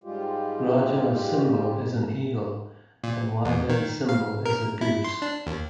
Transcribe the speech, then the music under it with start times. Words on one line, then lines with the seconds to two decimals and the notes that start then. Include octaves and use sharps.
Raja's symbol is an eagle and Wydad's symbol is a goose.
0.04 G#2 G3 G#3 F4 G4
3.04 A#2
3.45 E2
3.69 D#3
4.09 F5
4.46 A#4
4.81 E4
5.04 C6
5.22 D4
5.47 D#2